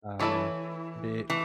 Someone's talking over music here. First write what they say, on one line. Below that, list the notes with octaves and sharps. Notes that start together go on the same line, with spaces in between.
um, Bi
E3 A3 E4 A4 C#5
E3 A3